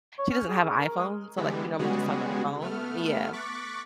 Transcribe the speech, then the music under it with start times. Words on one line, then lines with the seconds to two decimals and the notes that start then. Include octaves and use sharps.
she doesn't have a iPhone, so, like, we normally just talk on the phone Yeah,
0.19 C#5
0.31 C#4
0.48 G#4
0.64 C#4
0.79 A#4
0.97 G#3
1.37 D3 E3 G3 G#3 B3
1.79 C#3 G3 G#3 B3 F#4 G#4
2.62 A3 B3 F6
3.33 C#6 D6 F#6 A6 B6